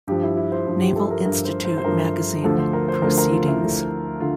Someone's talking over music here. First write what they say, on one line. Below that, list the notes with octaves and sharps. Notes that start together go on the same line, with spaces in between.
Naval Institute magazine "Proceedings".
G2 F3 G4
E4
E4
C5
G2 F3
G4
A4
A#4
G2 F3 A#4
C5
C5
C5
G2 F3 A#4
D2 D3 F3 A4
C5
A#4
C5
D2 D3 F3 A#4
A#4
F4
E4
D2 D3 F3
D3 F4